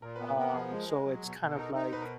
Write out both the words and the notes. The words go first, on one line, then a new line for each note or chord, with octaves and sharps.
Um, so it's kind of like,
A#2 A#4
B3 B4
B4
B3 A#4
F3 G#4
G#3
G#3
F#3
B2
B2
A4
D#4 A#4
D#4
C5
B2 B4
A#4